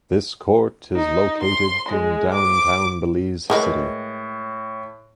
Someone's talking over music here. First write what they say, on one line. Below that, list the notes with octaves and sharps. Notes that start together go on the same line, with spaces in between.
This court is located in downtown Belize City.
D#4
C6
G#3
D6
A2 G#3 A#4 B4